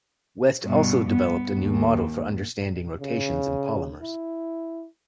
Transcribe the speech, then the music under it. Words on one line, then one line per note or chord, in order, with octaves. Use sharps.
West also developed a new model for understanding rotations in polymers.
G2 B2
B3
D#2
C#3
E4